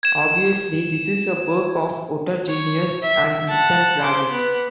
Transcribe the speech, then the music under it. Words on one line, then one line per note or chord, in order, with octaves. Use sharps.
Obviously this is a work of utter genius, an instant classic.
G#6 E7
C#5
E5
F#5 A5
C5 D6
B3